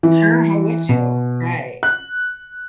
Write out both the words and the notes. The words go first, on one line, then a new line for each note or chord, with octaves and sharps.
Sure, how would you? Right.
E3
B2
F#6